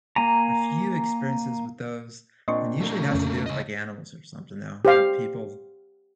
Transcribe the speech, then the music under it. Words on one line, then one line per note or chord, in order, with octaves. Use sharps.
a few experiences with those, and usually it has to do with, like, animals or something now, and people,
A#3 G#5 A#5
A#2 C4 D4 D#5 C6 C#6
A3 A#3
F2 C#3 C#4
C#2 D#5
G4 C5 F5